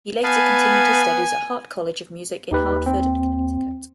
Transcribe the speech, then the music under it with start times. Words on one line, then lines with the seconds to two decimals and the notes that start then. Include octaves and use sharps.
He later continued his studies at Hartt College of Music in Hartford, Connecticut.
0.24 B3 F5 G#5 A5 B5
2.51 D#2 D#4 G4 B4
2.86 C4